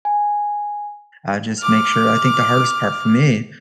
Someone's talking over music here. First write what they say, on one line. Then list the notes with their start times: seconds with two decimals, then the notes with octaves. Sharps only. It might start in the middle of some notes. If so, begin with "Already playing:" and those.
uh, just make sure I think the hardest part for me
0.05 G#5
1.59 D6 F6